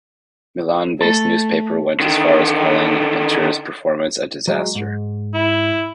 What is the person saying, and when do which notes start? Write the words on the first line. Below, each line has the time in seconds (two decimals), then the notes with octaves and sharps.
Milan-based newspaper went as far as calling Inter's performance a "disaster".
1.00 A3 A4
2.00 D3 D#3
4.48 F#3 G#3
4.75 G#2
5.34 E4